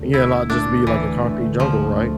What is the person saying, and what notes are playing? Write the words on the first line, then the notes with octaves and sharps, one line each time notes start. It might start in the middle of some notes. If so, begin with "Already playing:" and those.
yeah, not just be, like, a concrete jungle, right,
Already playing: D2 D3 A3
D2 E4
D3 A3 D4
D2 E3
D3 A3
D2 F3
D3 A3